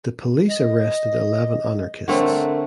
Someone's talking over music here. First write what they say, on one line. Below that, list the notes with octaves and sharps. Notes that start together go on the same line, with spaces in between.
The police arrested eleven anarchists.
D#5
D3 A3 C4 A#4